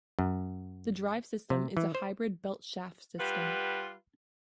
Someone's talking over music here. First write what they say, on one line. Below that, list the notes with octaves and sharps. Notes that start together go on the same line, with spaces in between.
The drive system is a hybrid belt-shaft system.
F#2
C3
E3
C5
G3 F4 B4 F#5